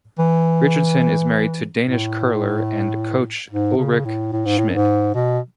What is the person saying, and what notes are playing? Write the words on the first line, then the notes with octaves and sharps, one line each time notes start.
Richardson is married to Danish curler and coach Ulrik Schmidt.
E3
A2
G#2
C#3
A2
A2
G#2
A2
F#2
G#2
B2